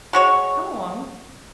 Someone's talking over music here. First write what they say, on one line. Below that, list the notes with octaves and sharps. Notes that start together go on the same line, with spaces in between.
Come along!'
G#3 F#4 C#5